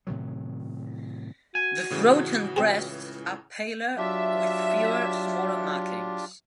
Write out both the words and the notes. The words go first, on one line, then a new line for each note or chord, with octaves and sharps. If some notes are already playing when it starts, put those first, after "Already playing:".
The throat and breast are paler with fewer, smaller markings.
A2 C3 D#3 F#3
F#4 G#5
A2 C#3 E3
C#2 C4 G#4
F#3 D4 F4 G4 E5